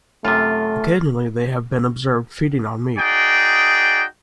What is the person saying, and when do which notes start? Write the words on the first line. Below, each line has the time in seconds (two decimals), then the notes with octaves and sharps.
Occasionally they have been observed feeding on meat.
0.25 F#2 C3 A3 F4
2.98 D#4 F#4 G#4 D5 G5